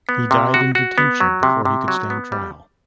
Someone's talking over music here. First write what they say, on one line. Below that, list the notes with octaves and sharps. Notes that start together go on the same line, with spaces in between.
He died in detention before he could stand trial.
B3
C3
F#4
F#4
B3
F#3
C3
C3
F#3
B3
G3